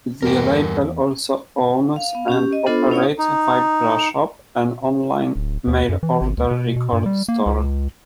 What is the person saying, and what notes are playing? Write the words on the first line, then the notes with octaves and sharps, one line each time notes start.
The label also owns and operates Vibrashop, an online mail order record store.
E2 G2 A#3 G4 A#4
F5
B3 F5
C#4 G4
D#5
B3 D4 F4 A4 C5 B5
C#4 E4 C#5 F5 D#6
D#4
D1
D#2
F#2
E3
G#1
D2
B2
B2
G2
G3
A#3
C#2